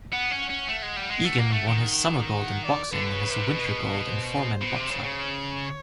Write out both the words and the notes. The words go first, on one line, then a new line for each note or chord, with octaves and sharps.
Eagan won his summer gold in boxing and his winter gold in four-man bobsled.
B3 F#5
C#4
F#5
C#4
A3
G#3
G3
G#3
A3
A#3
A3
D#3
F#5
F#5
D5
D3 B4
C#3
C3
B2
C5
B2
C3
C#3
C#3
C#5